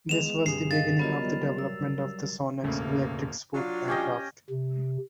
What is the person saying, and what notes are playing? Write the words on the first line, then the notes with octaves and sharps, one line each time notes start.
This was the beginning of the development of the Sonex Electric Sport Aircraft.
G#3 B3 E7 F7
G2 C3 G#4 C7
A#4 D#5 F5 A6
F#3 G3 B3 F4 A#4 D#5
E6
E1 A1 D2 C#3 A3 A#3
F#3 D4 F4
C#4 G4 D#5
C3